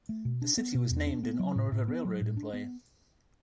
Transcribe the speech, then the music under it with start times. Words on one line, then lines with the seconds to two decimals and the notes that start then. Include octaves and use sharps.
The city was named in honor of a railroad employee.
0.09 A3
0.25 B2
0.42 D4
0.57 B3
0.74 B2
0.91 E2
1.07 D4
1.23 B3
1.39 F#3
1.56 A2
1.72 A2
1.88 B3
2.05 F#3
2.21 A2
2.37 D4
2.53 B3